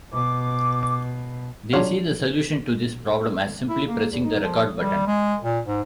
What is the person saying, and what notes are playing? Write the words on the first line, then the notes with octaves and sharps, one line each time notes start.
They see the solution to this problem as simply pressing the "Record" button.
B2 D6
F#3 D4 F4 F#4 C#5 F5
E4
A#3
E2
D#4
F3
G3
G#3
A#2
G#2